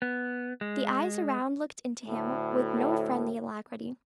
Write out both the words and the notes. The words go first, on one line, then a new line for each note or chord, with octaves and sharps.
The eyes around looked into him with no friendly alacrity.
B3
G#3
D2 A2